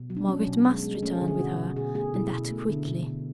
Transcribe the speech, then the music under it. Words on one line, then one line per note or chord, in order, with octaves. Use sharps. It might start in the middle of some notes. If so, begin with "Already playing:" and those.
Margaret must return with her, and that quickly.
Already playing: B2
F#3
D4
F#3 C#4
B2
G#3
G#3
A3 C#4
G#4
D3
G#4
B2 F#4
B2
B2 G#4
A3 G#4
B2 E4
B2
A3
D3
B2
B2